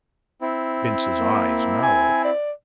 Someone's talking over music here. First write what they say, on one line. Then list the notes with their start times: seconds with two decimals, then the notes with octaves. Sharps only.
Bince's eyes narrowed.
0.42 C4 E4
1.20 A#3
1.83 G#5
2.25 D5